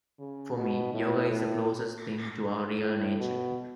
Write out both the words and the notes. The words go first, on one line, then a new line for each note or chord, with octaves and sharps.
For me, yoga is the closest thing to our real nature.
C#3
B2
A2
A2
A2
B2